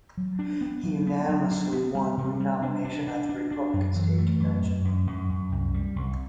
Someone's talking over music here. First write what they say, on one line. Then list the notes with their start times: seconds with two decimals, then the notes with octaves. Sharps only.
He unanimously won renomination at the Republican state convention.
0.17 F#3
0.39 D4
0.61 B3
0.83 F#3
1.07 B3
1.29 F#3
1.51 D4
1.72 B3
1.95 G3
2.18 C3
2.40 G3
2.62 D4
2.85 D4
3.07 D4
3.29 D4
3.51 D4
3.74 F#2
3.96 E3
4.18 A3
4.40 F#2
4.63 F#2
4.85 F#2
5.07 F#2
5.30 F#2
5.52 C2
5.74 G3
5.96 C2